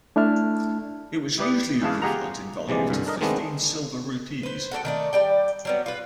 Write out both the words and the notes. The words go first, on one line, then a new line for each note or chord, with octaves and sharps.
It was usually equivalent in value to fifteen silver rupees.
A3 D4 E4 E5 A5 F6
E4 G4 B4 D5 D#6
C#3 E3 G#3 F5 A5 D#6
F4 G4 G#4 F#5 A#5
A#1 C3 E3 G#3 D5
C2 G2 D3
D4 A#4 D#5
D#3 G#3 A3 B3 C4 D4
B4 C5
F#4 A4 C#5 G5
D#3 A3 D5
G3 D5 G5
F#3 G3 B3
F4 B4